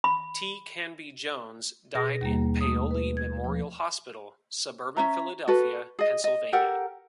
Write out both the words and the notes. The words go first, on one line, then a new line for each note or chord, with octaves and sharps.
T. Canby Jones died in Paoli Memorial Hospital, suburban Philadelphia, Pennsylvania.
B5
B2 G#4 A#6
D#2 G3 A#3
A3 D#6
B4
G#6
F3
C#4 E5 A#5
F#4 A4 B4
G#4 D#5
D#5
G4 A4 A#4 F#5